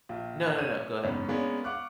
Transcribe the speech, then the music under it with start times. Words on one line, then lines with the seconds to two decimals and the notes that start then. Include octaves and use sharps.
No, no, no, go ahead.
0.09 A#1 F4
0.55 C#5 D#7
1.04 F#1 G#2 B3 C#4
1.29 G#3 A#3 B3 C#4 D4 C#5
1.64 F5 F#5 C#6 D6 F#6